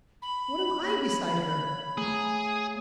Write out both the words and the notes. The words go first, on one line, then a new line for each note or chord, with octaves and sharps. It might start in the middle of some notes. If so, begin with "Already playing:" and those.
What am I beside her?
B5
A#3 C#5
A3 G#4 A#5